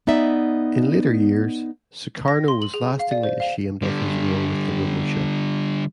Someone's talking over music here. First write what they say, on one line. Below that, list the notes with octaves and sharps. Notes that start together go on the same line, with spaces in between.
In later years, Sukarno was lastingly ashamed of his role with the "romusha".
B3 D#4 D5 E5
A#6
C6
F#7
G#4
F5
D5
C5
F5
D3 G3